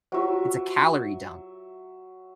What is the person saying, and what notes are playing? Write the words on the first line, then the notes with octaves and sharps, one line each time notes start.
it's a calorie dump.
F#3 F4 G4 C5 E5